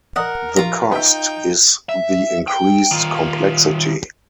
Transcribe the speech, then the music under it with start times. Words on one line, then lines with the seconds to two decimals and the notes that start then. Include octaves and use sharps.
The cost is the increased complexity.
0.16 A#4 D5 D#5 F#5
0.57 A#1 F4 A#5
0.92 B3 D#4 E5 G5
1.89 E5
2.48 G5
2.91 D#3 F4